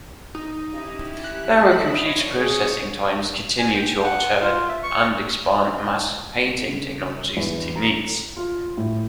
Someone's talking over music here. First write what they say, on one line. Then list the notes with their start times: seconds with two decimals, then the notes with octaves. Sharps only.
Lower computer processing times continue to alter and expand matte painting technologies and techniques.
0.35 D#4
0.74 C#4 E4 G4
1.24 F#6
1.71 D4 E4 D#5 E5 B5
2.06 A#2 D3 F3 C#5
2.36 G#4
3.58 G#5
3.75 G5
4.04 F#5
4.41 F4
4.69 E5
4.83 C#6
6.67 C#3
7.37 E2
7.76 A#5
8.37 F4
8.77 A2